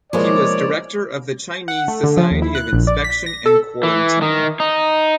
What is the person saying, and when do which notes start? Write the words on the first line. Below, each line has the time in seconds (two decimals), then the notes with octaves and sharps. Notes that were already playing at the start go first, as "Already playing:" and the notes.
He was director of the Chinese Society of Inspection and Quarantine.
0.13 B2 F3 G#3 A#3 E4 C#5 D5
1.68 F#5
1.88 A3
2.03 D3
2.17 F3
2.31 D#2
2.42 E4
2.55 F#6
2.73 A#1
2.87 D5
3.04 B6
3.26 A#6
3.46 A4
3.83 E3
4.22 D#3
4.60 D#4